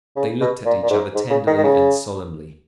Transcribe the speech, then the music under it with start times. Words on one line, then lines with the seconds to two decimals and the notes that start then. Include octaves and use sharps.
They looked at each other tenderly and solemnly.
0.16 C#3
0.41 B2
0.65 A#2
0.83 A#2
0.90 G#2
1.15 G#2
1.30 C#3
1.47 D#3
1.57 D#3
1.63 C#3